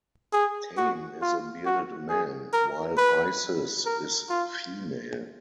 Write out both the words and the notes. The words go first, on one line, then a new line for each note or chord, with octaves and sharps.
Thame is a bearded man, while Isis is female.
G#4
F#4
F4
F#4
G#4
A#4
B4
A#4
F4